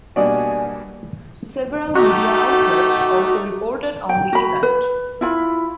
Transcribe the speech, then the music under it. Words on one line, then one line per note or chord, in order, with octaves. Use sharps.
Several media outlets also reported on the event.
B2 G3 A#3 D4 F#4 D5 D#5 G#5
A3 D#4 F#4 G4
G5
F#4 B5
B4
E4 F4 B5